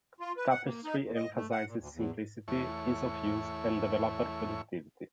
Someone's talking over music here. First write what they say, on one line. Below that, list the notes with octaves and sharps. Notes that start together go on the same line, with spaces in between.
Tapestry emphasizes simplicity, ease of use, and developer productivity.
F4
B4
F#5
A#3
D#4
E2
D#5
A3
F#5
A#2
D2
E2
E2 A3 E4 C#5 C#6